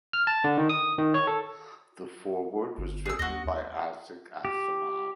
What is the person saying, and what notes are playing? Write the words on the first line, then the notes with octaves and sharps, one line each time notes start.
The foreword was written by Isaac Asimov.
F6
A5
D3
D#3
D#6
D#3
C#5
A4
G1
G#4 E6
D#2 F#4 D#5
G4